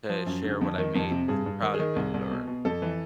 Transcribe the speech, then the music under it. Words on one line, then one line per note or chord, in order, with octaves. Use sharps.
to share what I've made, 'cause I'm proud of it, or
F3
F#2
D3
F2
D#3
F2
C3
G2 G#4
G2
D#3
G#4
D#3
C2
C2
B2
B2
F2 A4
E3